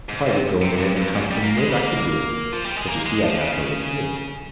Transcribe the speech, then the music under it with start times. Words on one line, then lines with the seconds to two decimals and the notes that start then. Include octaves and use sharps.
If I were to go and live in Trumpeton Wood I could do it; but you see I have to live here.
0.09 G#2
0.26 C3
0.62 C3
0.78 G2
0.96 G2
1.14 G#2
1.31 G3
1.44 A#3
1.58 G#3
1.70 G3
1.83 A#3
2.52 F3
2.64 G3
2.76 G#3
2.88 A#3
3.06 G#3
3.23 F3
3.41 C#3